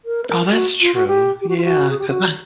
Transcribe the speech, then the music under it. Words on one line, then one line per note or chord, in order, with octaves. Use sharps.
Oh, that's true. Yeah, cause I
A#4
B4
A#4
F#4
F4
F#4
G4
G4
F#4
F4
F#4
G#4
G4
F#4